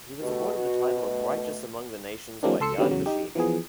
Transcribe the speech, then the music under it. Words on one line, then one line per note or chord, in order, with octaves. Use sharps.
He was awarded the title of Righteous Among the Nations by Yad Vashem.
B2 A3 F#4 G4
F#4
A3
E3 F#3 G#3 A#3 C4 D4
C#2 A4 C6 E6 C#7
D3 D#3 F#3 G3 B3 C#4
E2 C#3 F#3
D#4 G4
E3 F3 B3 G#4